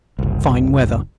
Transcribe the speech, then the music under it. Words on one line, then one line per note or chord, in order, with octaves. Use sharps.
Fine weather.
F#1 C2